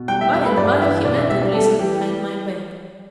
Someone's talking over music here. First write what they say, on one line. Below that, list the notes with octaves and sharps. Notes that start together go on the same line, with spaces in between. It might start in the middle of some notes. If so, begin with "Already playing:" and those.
By-and-by he went and listened behind my back.
Already playing: B2
G3 G5
E5
G3 E5
B4
G2 D5
E3 E5
B1 D5
E5
G3 E5
D5
G3 A4
E3 G4